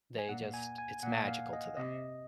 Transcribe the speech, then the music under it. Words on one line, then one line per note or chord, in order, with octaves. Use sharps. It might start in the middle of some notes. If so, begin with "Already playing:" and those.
they just it's magical to them,
G#5
A#2 F#5
G#5
G#5
A#2 F#5
F5
D#5
C3 D#5